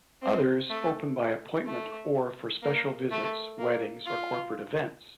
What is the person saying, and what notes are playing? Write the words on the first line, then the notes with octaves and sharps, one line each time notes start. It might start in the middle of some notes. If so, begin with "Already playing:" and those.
Others open by appointment or for special visits, weddings or corporate events.
C4
A3
A3
A#3
A3
A#3
F4